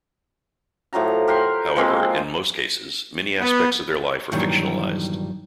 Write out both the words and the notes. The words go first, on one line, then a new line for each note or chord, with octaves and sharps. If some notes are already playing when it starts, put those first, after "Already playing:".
However, in most cases, many aspects of their life are fictionalized.
A2 F3 F#3 A#5
G4 A#4 F#5 C6
F3 G#3 A#3 C4
B3
G2 A#2 D#3 E3 F#3 G3